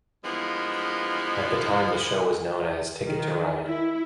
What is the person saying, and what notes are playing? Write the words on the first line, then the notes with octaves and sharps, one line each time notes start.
At the time the show was known as Ticket To Ride.
G2 E3 F3 G#3 A#3 B3
D#3
E4